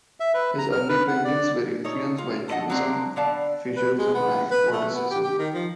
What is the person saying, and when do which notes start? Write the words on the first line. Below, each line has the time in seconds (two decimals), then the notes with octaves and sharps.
His early paintings were influenced by cubism, futurism and vorticism.
0.20 E5
0.34 B4
0.58 A#5
0.72 F6
0.89 B4
1.08 F#5
1.24 D5
1.84 D#4 A4 C#5
2.18 F4
2.48 A3 A4 B4 D#5 F#5
2.70 F#3 G#3 A#3 C4 D4
3.16 D3 B3 D5 F5 A5
3.77 B4
3.99 G#3
4.14 B3
4.51 B4
4.72 A3
4.94 B3
5.11 G4
5.24 G4
5.39 D#3
5.54 F3